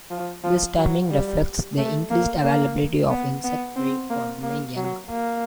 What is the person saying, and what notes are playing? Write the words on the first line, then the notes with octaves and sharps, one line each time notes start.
This timing reflects the increased availability of insect prey for the growing young.
F3
F3
F#3
G3
A3
A#3
A#3
B3
B3
C4
A#3
A#3
F#3
A#3